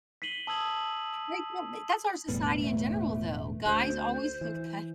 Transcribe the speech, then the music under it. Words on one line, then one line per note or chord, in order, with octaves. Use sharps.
Right, do ma that's our society in general though, guys always look better
B6 C7 D#7 F#7 G7
A5 D#6 E6 G#6 F#7
E1 A2 G3 B3
A3
D2 C5
E3